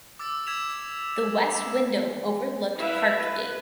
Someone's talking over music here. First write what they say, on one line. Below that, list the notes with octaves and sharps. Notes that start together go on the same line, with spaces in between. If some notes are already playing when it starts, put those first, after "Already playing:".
The west window overlooked Parkgate.
D6 E6 A6
E6 G#6 B6 E7 F7
E4 B4 E5 F5
B4